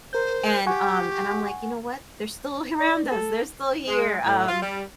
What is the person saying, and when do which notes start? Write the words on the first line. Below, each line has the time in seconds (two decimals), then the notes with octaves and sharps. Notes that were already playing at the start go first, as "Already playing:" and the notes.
and, um, and I'm, like, you know what, they're still around us, they're still here, um,
0.13 A#4 C5 G6
0.67 G4 F#5 G#5 C#6
2.80 D5
3.11 A4
3.88 G#3
4.24 A2
4.48 F4
4.62 G3